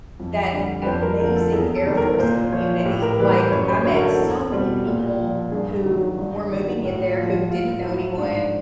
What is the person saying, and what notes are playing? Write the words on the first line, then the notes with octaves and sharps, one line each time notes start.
that amazing Air Force community, like, I met so many people who were moving in there who didn't know anyone,
F2
D3 G3
B4
F2 C5
A#4
D3 F3 A#4
A4
E2 G#4
A4
C3 D#3 G3
A#4
A#2 C5
F3 C#5
A2 G4
A#4
E3 G3 B4
C5
F#2 C#5
C5
D3 F#3 C#5
A#4
A4
E2
B2 G3
A#2
F3
G2 G#4
D#3 F#3
G2
D#3 F#3
A2 F#4
F4
F3
F4
A2 F4
F#3 E4
G#2 D4